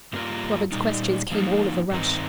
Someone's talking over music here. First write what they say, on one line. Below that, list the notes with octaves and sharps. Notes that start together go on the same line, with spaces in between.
Robin's questions came all of a rush.
G2 G3 A#3 F4 A#4
A#2 G3 D#4
F3 A#3 D#4
G2 D#3 C4 D#4 A#4